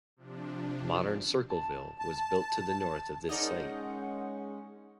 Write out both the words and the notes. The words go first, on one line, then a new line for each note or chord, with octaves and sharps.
Modern Circleville was built to the north of this site.
C3 F3 D4
A5
A5
G#3 C#4 D#4 G#4 A#4 D5 D#5 F#5